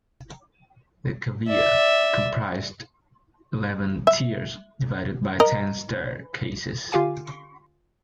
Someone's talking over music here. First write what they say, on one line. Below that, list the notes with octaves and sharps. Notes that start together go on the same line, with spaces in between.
The cavea comprised eleven tiers divided by ten staircases.
D5 E5
E5
A#4 D#5
D3 F4 G4 F5 G#5 D6